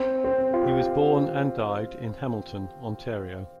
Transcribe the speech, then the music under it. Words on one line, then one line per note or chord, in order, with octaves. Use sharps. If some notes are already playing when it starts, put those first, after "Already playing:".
He was born and died in Hamilton, Ontario.
Already playing: C4
C4
F4
G4